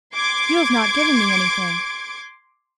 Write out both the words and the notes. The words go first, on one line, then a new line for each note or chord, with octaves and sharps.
"You have not given me anything."
C6 D6 G#6 D7